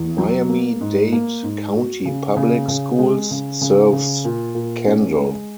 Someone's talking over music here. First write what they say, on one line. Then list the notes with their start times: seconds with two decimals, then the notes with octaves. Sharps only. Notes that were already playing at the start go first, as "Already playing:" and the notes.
Miami-Dade County Public Schools serves Kendall.
Already playing: E2
0.18 F#3
0.49 A#3
0.81 G#2
1.12 A#3
1.43 G#2
1.75 F#4
2.05 C#3
2.36 C#3
2.68 C#3
2.99 G#3
3.31 C#3
3.61 C#3
3.92 C#3
4.25 A#2
4.55 A#2
4.86 C#4
5.17 G#3